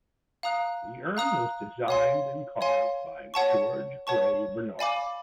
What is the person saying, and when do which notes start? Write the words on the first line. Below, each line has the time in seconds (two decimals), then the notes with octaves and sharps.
The urn was designed and carved by George Grey Barnard.
0.43 F5 A#5 D#6 F#6
1.17 F5 A#5 D#6 F#6
1.88 C#5 F5 G#5 C6
2.61 C#5 F5 G#5 C6
3.34 C#5 F#5 A5 C#6
4.07 C#5 F#5 A5 C#6
4.79 D5 F5 G#5 B5 D6